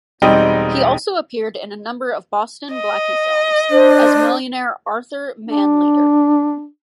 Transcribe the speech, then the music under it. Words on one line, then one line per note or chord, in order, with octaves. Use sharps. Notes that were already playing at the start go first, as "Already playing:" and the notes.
He also appeared in a number of Boston Blackie films as millionaire Arthur Manleder.
E1 G3 C4 D#4 D#5 G5
D#5
D4 C5
D4